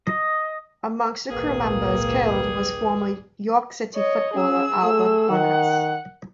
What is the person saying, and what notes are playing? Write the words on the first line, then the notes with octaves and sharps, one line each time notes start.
Amongst the crew members killed was former York City footballer Albert Bonass.
D#5
G#1 C#2 A#2 G3 A#3 G#4 B4
C#5 D#5
C#4 G#4 E6
A3
D#3 F#5